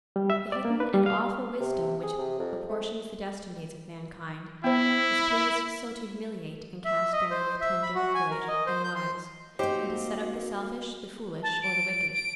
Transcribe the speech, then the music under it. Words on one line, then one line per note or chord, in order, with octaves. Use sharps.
The hidden and awful Wisdom which apportions the destinies of mankind is pleased so to humiliate and cast down the tender, good, and wise, and to set up the selfish, the foolish, or the wicked.
G3
E5
D5
A#3
B4
G3
F5
C3
G#4
C3
F2
A3
B3 E4 C5
E5
D#5
C5
E5
B5
F#4
G#5
A#4
D#5
C5
G6
C6
A#3 C4 D#4 F#4 G4 C5
A5
D7
D7